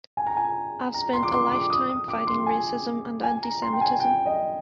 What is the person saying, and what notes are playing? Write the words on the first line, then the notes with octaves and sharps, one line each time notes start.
I've spent a lifetime fighting racism and anti-Semitism.
G#5
A#5
G#5
A#5
C6
D6
C6
D6
D#6
D#6
D6
C6
G#5
G#5
A#5
C6
G5
G#5
G5
D#5